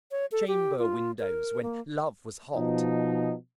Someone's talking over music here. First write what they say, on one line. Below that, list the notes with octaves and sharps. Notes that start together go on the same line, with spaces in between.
Chamber-windows when Love was hot?
C#5
A4
G4
F4
A#4
A#3
B2 F3 D#4